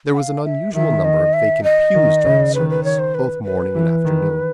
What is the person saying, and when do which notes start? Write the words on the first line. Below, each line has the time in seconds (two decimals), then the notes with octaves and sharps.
There was an unusual number of vacant pews during service, both morning and afternoon.
0.14 F#5
0.17 F5
0.44 E5
0.74 D#3 E5
1.04 D#5
1.34 E5
1.63 D#5
1.94 D#3
2.24 C#3
2.54 D#3 B4
2.70 B4
2.84 C#5
2.99 C5
3.14 B4
3.44 B4
3.75 E3
4.05 D#3